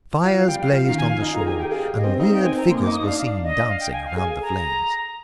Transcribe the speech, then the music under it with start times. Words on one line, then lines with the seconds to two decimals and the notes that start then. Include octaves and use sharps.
Fires blazed on the shore and weird figures were seen dancing around the flames.
0.23 F3 F5
0.39 F5
0.47 G3 G5
0.61 F5
0.73 F3 F5
0.85 D#3 F5
0.98 G#5
1.06 F3 F5
1.21 D#4
1.34 F4 A#5
1.41 G#4
1.46 G4 G#5
1.58 G4 G5
1.70 G#4 F5
1.87 G4
1.96 D#5
2.04 C4
2.20 D#4 F5
2.33 G5
2.44 C4 G#5
2.57 A#5
2.69 A#3 C6
2.76 D#6
2.82 D6
2.86 D#4
2.94 D#6
3.03 D4 F5
3.18 F5
3.43 D#5
3.68 F5
3.80 G5
3.92 G#5
4.05 F5
4.17 G#4 G#5
4.42 A#5